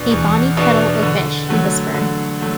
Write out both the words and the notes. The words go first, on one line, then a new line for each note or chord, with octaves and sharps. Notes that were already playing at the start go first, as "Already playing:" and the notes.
"A bonny kettle o' fish," he whispered.
Already playing: E2 B2 B3 D4
E2
B2 B3 D4
D3
F#3 A3 F#4
D3
F#3 A3